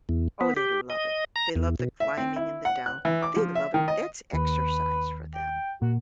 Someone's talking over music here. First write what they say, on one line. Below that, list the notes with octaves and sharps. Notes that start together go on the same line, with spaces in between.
Oh, they love it, they love the climbing and the down they love it, that's exercise for them.
E2
B3
G4
D#5
A#5
E2
B2
E5
C4
E4
F#5
F#6
E3
D6
F3
E5
D#3
D#5
D#2 B4
G5
A#2 F#4